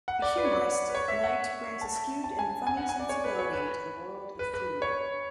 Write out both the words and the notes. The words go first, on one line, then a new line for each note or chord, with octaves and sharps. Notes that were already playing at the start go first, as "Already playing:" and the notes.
A humorist, Leite brings a skewed and funny sensibility to the world of food.
F#5
D5
B4
C#5
D5
B4
C#5
E5
F#5
A5
A5
G#5
G#5
F#5
G#5
D5
C#5
B4
C#5
B4
B4
B4
C#5